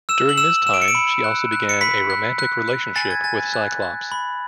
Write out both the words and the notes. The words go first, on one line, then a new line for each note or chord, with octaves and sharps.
During this time, she also began a romantic relationship with Cyclops.
E6 E7
F#7
E6 E7
E6 E7
D7
C#7
D7
B5
F#6
F#6
C#7
B5 B6
F#6
F#6
F#6
G#5 A6
G#6
G#5 A6
F#6
F#6
B5